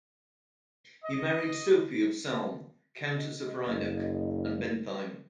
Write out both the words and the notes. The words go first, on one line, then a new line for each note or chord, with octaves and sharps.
He married Sofie of Salm, Countess of Rheineck and Bentheim.
D#5
D#5
F#1